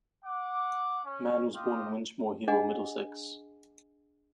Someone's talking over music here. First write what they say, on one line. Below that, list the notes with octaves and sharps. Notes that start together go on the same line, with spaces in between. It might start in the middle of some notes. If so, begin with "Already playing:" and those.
Mann was born in Winchmore Hill, Middlesex.
F#5 D6
C#4
D#4 F4 G4 D#5 F5
D4 G#4 D#5 F#5 G#5